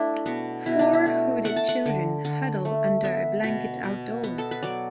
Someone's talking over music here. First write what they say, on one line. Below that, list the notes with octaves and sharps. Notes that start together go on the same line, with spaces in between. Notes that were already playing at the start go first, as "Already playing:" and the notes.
Four hooded children huddle under a blanket outdoors.
Already playing: A3 D4 E4
B2 B3
B2 E4
D4
E4
A3
A3 F#5
A5
F#5
D3
D3
A3
B3 E5
B2
B2
B3
A4
B4
F#3 D5